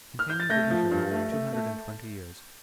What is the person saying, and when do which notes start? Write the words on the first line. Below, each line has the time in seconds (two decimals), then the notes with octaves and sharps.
Containing The Interval Of Two Hundred And Twenty Years.
0.19 F6
0.30 G6
0.40 A6
0.50 A3 G6 A#6
0.70 F3
0.91 G2
1.11 A3
1.32 A3
1.53 A3